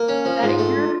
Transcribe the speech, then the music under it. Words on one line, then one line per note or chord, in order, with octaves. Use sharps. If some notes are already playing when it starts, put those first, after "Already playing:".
that you're
Already playing: A#3
C#4
F3
G#2 F4
A3